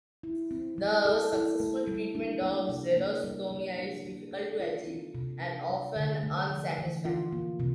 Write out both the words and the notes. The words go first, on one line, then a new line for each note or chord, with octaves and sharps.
The successful treatment of xerostomia is difficult to achieve and often unsatisfactory.
E4
C4
G3
A4
E4
A3
G3
D4
A#3
C3
A#3
G3
G3
D4
A#3
A4
F4
C4
C3
D4
G3
D3
A3
F3
E3
F4
A#3
C3